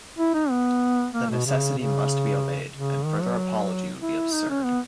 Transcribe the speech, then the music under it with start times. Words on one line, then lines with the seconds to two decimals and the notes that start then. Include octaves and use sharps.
The necessity must be obeyed, and further apology would be absurd.
0.18 E4
0.34 D#4
0.50 B3
1.14 A#3
1.30 B2
1.46 C#3
1.77 C#3
2.73 C#3
3.05 D#3
3.22 F#3
4.01 E4
4.33 D#4
4.49 C#4
4.65 B3